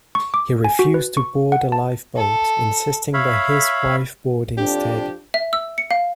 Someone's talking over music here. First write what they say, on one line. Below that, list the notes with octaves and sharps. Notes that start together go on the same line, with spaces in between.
He refused to board a lifeboat, insisting that his wife board instead.
C#6
D6
G#5
F#4
B4
C#6
F#5
A5
A4
C#5 E5 F5 B5
F2 F3 D4 G4
E5
E6
C#7
F5